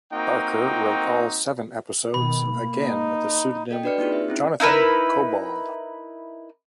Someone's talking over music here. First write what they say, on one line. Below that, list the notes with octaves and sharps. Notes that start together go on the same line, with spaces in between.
Barker wrote all seven episodes, again with the pseudonym Jonathan Cobbald.
A#3 C4 D#4 F#4 G5
B2 D#3 B5
A#3
D#4
A4 D#5 G5
D4 F#4 B4 D5 F6 C#7
A#3 C4 D#4 F4 G#4
E5
C4 C#4 E4
D#4 E4 A#4 B4